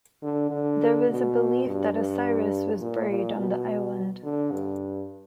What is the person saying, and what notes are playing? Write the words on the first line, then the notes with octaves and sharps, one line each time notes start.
There was a belief that Osiris was buried on the island.
D3
D3
B2
G2
G2
A#2
A#2
B2
D3
G2